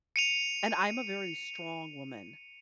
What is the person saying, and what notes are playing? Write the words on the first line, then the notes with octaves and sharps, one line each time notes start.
And I'm a very strong woman
C#7 D#7 F7